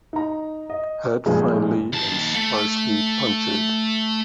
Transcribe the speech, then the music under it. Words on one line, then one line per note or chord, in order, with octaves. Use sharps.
Head finely and sparsely punctured.
D#4 A#5
D#5
G2 A#2 C#3 F3 G#3 B3
D#2 A5
A3